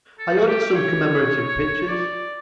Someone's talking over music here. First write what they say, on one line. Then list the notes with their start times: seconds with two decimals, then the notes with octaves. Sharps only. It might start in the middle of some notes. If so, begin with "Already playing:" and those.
I ordered some commemorative pictures.
0.19 A4
0.38 F#4
0.47 G4
0.75 C#5
1.89 D5